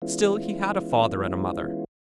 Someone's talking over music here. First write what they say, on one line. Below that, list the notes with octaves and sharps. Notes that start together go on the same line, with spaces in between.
Still, he had a father and a mother.
E3 G#3 B3 C#4 E4 F4